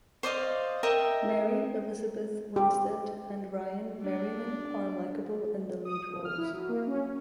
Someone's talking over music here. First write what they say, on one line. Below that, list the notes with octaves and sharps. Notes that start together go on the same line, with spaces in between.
Mary Elizabeth Winstead and Ryan Merriman are likeable in the lead roles.
C5 D5 D#5 F5
A#4 D#5 E5 G5
G4
D4
D#6
F3
F6
E4
F#3
A#3
C#4